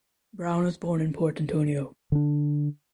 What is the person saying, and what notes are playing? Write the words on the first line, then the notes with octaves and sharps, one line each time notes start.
Brown was born in Port Antonio.
D3 D4